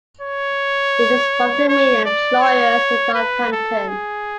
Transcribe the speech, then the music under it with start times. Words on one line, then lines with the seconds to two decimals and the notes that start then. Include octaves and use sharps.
It is one of the main employers in Northampton.
0.21 C#5
1.69 C#5
2.05 D5
2.42 C#5
3.15 B4
3.52 A4
3.88 G#4